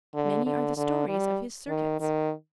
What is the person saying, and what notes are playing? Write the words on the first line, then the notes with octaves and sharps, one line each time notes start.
Many are the stories of his circuits.
D3
D3
D3
G3
D#3
D#3